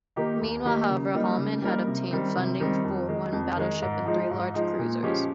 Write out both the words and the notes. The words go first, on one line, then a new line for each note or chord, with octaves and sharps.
Meanwhile, however, Hollmann had obtained funding for one battleship and three large cruisers.
D#3 A#3 D#4 G4
D#2
D#3 A#3 D#4 G4
C#3
G3 A#3 D#4 A#4
C#3
G3 A#3 D#4 A#4
C3
D#3 G3 C4
C3
D#3 G3 C4
F2
D#3 G#3
F2
D#3 G#3
G#2
F3 G#3 D#4
G#2
F3 G#3 D#4
A#2
F3 G#3 C#4 G4